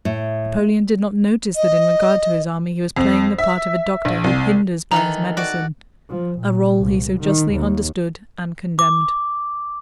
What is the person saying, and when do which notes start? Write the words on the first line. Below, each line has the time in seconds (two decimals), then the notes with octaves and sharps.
Napoleon did not notice that in regard to his army he was playing the part of a doctor who hinders by his medicines--a role he so justly understood and condemned.
0.05 A2
1.55 D#5
2.96 F2
3.38 E5
4.05 A#1
4.24 C2
4.91 D#3 E3 A4 A#5
5.37 F#4 D5
6.10 F3
6.40 A#2
6.78 C2
7.20 D#3
7.53 D#2
8.79 D6